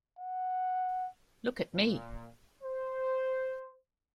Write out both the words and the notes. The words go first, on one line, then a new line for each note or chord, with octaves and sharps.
Look at me!
F#5
A#2
C5